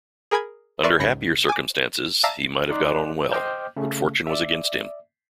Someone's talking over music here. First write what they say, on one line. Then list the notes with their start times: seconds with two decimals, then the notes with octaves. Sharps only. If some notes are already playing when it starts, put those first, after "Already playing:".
Under happier circumstances he might have got on well, but fortune was against him.
0.31 G#4 A#4 G#5 B5 G#6
0.83 A#4 B4 D5 E5 C6 C#6
0.98 C#2 G#2 C#3 B5 A#6 C#7
1.49 G#5 D6
2.23 D5 E5 F5 A5 A#5 E6
2.70 D#4 D5 C6 D6 F#6
3.32 C5 D#5 G5 D6 F6 G6
3.76 C#3 A3 C#4
4.27 D5 E5